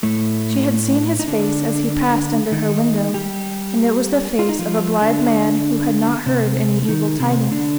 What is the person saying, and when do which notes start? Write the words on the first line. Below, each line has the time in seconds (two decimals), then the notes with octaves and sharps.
She had seen his face as he passed under her window, and it was the face of a blithe man who had not heard any evil tidings.
0.03 A2 A3
1.19 D#4
1.27 D3 D4
2.52 D#3 D#4
3.14 G3 G4
4.39 F4
4.49 D#4
4.59 F3 F4
5.01 D3 D4
6.26 C3 C4
6.88 D#3 D#4
7.20 C3 C4
7.51 D3 D4